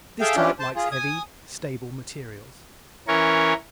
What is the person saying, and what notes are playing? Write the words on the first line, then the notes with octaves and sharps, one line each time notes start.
This type likes heavy, stable materials.
G#4 A4 E5 F5 G5
C#4 D4 E4 F4 G4
C5 A5
F4 G#4
G#5 D#6
E3 C#4 A#4 C#5